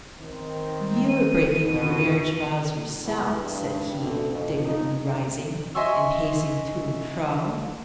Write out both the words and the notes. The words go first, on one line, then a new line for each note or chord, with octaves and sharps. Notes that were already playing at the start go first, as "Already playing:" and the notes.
'You are breaking your marriage vows yourself,' said he, indignantly rising and pacing to and fro.
D#3 C4
D#7
F2 B2
E2
G2
D2
F2
D#4
D#5 E5 G#5 C6 C#6 E6